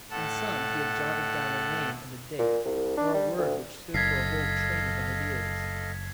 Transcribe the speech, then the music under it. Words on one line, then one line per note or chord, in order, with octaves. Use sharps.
In some he had jotted down a name and a date, or a word which stood for a whole train of ideas.
A2 A4 F#5 A5
A#2
C2
D4
G3
D2
F#1 A4 D#5 F5 G#6 B6 C7